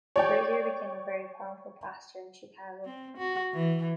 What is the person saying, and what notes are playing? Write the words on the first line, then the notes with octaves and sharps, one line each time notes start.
Brazier became a very powerful pastor in Chicago.
C#5 D5 G5
C4
F#4
E3